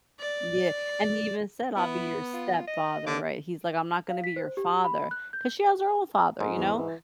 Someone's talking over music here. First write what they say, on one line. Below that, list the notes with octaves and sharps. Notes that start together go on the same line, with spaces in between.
Yeah, and he even said, "I'll be your stepfather," right, he's like, "I'm not gonna be your father," 'cause she has her own father, you know,
D5
B3 E4
F4
D#5
D3 D6
F5
B6
C5
G4
B5
F#6
G6
G#2
E2
E3